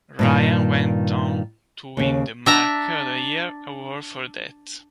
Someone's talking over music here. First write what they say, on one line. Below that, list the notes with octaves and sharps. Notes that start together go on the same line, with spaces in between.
Ryan went on to win the Mark of the Year award for that.
G2 A#2 D#3
D#2 C#3
D4 E5 A#5